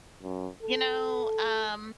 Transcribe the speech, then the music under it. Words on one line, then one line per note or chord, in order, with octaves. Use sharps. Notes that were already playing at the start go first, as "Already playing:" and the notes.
You know, um
F#2
A4